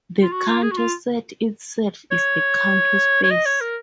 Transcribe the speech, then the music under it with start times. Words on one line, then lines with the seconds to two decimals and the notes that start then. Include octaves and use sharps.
The Cantor set itself is a Cantor space.
0.22 F4
0.32 F#4
0.47 F4
0.63 G#4
0.71 F#4
0.77 F4
2.11 C#5
3.24 C#5
3.31 D#5
3.46 C#5
3.61 A#4